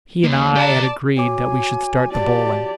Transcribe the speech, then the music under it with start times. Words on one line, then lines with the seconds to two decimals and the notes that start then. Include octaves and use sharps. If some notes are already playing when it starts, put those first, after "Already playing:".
He and I had agreed that we should start the bowling.
0.23 D#3 A#3
0.56 G4 D5 A5 A#5
1.17 F#4 C#5 G#5 D6
2.13 G4 D5 A5